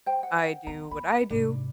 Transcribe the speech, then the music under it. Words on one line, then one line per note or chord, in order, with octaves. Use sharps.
I do what I do.
C5 G5
F#5
D#3 B3 A#5
A#3 B5
G#2 C3 D4